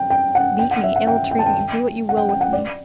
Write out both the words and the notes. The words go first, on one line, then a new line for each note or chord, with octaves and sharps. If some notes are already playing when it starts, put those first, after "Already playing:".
Beat me, ill-treat me, do what you will with me....
Already playing: G5
G5
F#5
G5
F#5
E5
F#5
G5
G5
A5
G5
F#5
G5
G5
F#5
D5